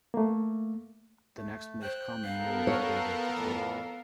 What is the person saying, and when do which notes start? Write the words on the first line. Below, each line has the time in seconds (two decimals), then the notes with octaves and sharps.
The next most common mode is beta decay.
0.14 A3 A#3
1.36 A3
1.82 C5 G5 F#6
2.24 B3 A4 A#4 F5
2.67 C#5
3.36 F2 A2 E3